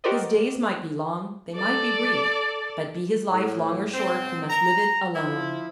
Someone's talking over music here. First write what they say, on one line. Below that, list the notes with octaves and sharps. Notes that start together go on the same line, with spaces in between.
His days might be long, they might be brief; but be his life long or short, he must live it alone.
F#4 G4 A#4 C5 D5 D#5
A4 D5
A2
G#2 B2 C4
A#5
F3 E4